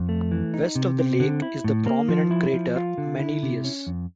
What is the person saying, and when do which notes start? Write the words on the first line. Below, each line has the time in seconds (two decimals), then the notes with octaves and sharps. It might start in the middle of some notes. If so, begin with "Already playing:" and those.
West of the lake is the prominent crater Manilius.
Already playing: F2
0.09 A3
0.32 E3
0.54 D#4
0.75 C3
0.99 C4
1.20 D3
1.42 E4
1.64 A2
1.87 A#3
2.09 F3
2.31 E4
2.53 F3
2.76 F4
2.98 D3
3.19 E4
3.43 C3
3.64 C#4
3.87 F2